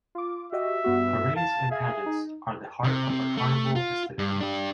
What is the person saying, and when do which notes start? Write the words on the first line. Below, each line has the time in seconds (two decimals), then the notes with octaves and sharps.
Parades and pageants are the heart of the Carnaval festivities.
0.15 F4 D6
0.52 F#4 G4 D#5 E5
0.84 G2 B3 F#4
1.36 F5 A5
1.71 G#4 E5 F5 G#6
2.06 D#4
2.84 C3
3.10 C3
3.37 A3
3.76 F4
4.19 G2
4.41 D4 G4